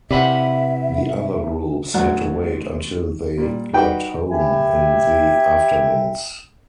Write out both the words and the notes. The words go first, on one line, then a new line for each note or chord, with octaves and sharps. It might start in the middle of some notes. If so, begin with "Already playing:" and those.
The other groups had to "wait until they got home" in the afternoons.
C3 E4 B4 D5 E5 F#5 B5 B6
D2 F#3 D5 F#5
A#2 G3
G3 D#4 F#4 G4 B4 G5
G4 E5 G5 G#5 B5